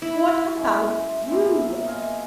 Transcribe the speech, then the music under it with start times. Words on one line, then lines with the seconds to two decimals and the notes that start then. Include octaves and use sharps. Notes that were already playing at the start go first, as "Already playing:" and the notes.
What about you?
0.02 D#4 E4
0.56 F#2 G#3 E5
1.28 A#2 B3 C4
1.87 D#5 F5 G#5